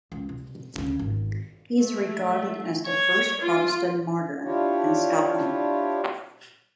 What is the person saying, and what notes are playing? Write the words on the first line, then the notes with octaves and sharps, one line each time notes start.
He is regarded as the first Protestant martyr in Scotland.
C#2
C3
D2 C#3
G#1
A3
C#5
F4
D4 E4 F4 G4 C#5